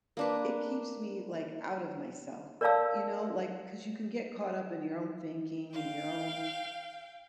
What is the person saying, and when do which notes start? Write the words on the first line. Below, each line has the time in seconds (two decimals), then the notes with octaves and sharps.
it keeps me, like, out of myself, you know, like 'cause you can get caught up in your own thinking, in your own
0.17 A#3 D4 B4
2.61 A#4 C#5 D5 F5 A5 E6
5.73 F5 G5